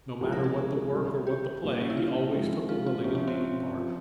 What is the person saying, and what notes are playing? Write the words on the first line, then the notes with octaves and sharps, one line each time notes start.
No matter what the work or what the play, he always took a willing and leading part.
C2 C3 F3 G#3
A#4
G#4
C2 C3 G3
G4
A#1 A#2 G3
C#4
E4
F4
G#2 F3 G#3 C4 E4
F4
F4
C#2 C3 F3 C#4
C#4
C4
F3